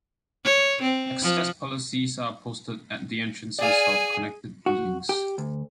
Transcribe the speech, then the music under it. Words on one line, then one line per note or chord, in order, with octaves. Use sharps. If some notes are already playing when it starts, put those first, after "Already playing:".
Access policies are posted at the entrances of connected buildings.
C#5
C4
F3
G#4 D5 F5 G#5
F#4
G4
D2